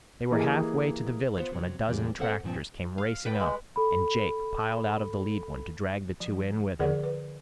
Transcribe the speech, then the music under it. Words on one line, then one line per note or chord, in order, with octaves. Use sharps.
They were halfway to the village when a dozen tractors came racing up and Jake piled out of the lead one to drag the two in with him.
E3 A#3 G4 G#4 D#5
B3 F4 C5
C3 F#3 C4
E2 C3 G3 A#3
A#3 C4 A4 C5 F5 F#5
G2 A#2 F3 C4
F5
B4 D5 G5
G#3 B5
A4 B5
F3
D3 F3 G#4 A#4 D5 F#5
B4